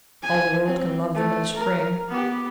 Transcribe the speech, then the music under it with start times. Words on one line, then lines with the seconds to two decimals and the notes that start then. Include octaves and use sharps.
All the world can love them in the spring.
0.23 G#5
0.66 C4
1.15 A3
1.56 A#4
2.09 B3 G4